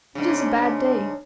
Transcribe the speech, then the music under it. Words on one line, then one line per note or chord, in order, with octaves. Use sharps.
'It is a bad day.
G#2 C#3 D4